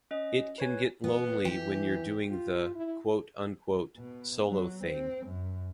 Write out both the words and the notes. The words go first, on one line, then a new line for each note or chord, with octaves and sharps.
It can get lonely when you're doing the - quote unquote - solo thing.
C#4 D#5
B4 C#5 G#5
B3
E3 G4
F4
E4
B2
F#3
C4
F#2